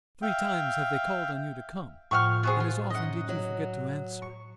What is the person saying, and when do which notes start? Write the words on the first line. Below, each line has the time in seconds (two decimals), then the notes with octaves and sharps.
Three times have they called on you to come, and as often did you forget to answer.
0.22 E5 F5 G5
2.11 A2 F3 F#5 G5 C#6 E6 F6
2.43 B3 C4 F#4 G#4 C5 C#6
2.60 F4
2.90 F#2 D#4 D#5 F#5
3.29 F#3
4.22 C#6